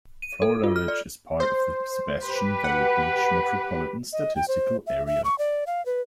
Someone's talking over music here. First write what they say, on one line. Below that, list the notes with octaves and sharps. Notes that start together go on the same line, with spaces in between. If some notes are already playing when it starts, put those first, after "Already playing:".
Florida Ridge is part of the Sebastian-Vero Beach Metropolitan Statistical Area.
D#7
A4
F4
F6
D5
C5
G4 B4
F#5
D#5
G5
C5
E5
E5
C#6
D5
F5
B4